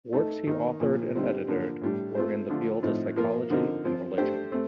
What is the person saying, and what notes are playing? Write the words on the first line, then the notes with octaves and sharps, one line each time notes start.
Works he authored and edited were in the field of psychology and religion.
A3 D#4 A4
D#3 A#3 D#4 A#4
A#2 F3 A#3
D3 G3 C4 D#4 G4
D3 F3 A#3 D4
A2 G3 D4
A3 C4 F4 C5
D3 F3 A3 D4 F4
A2 F3 C4 D#4
F3 A#3 F4 A#4
D3 F3 C4 D#4 A#4
F3 C4 F4
A3 D4 G4 C5
A3 C4